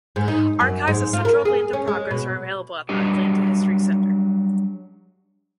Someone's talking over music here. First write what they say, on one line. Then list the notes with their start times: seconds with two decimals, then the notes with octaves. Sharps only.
Archives of Central Atlanta Progress are available at the Atlanta History Center.
0.16 G#2
0.28 D#4
0.61 F#2
0.88 G#2
1.13 F4
1.25 A#4
1.45 G#4
1.73 C#4
1.87 G#3
2.11 B2
2.89 F#3 G3 D4 G4 D#5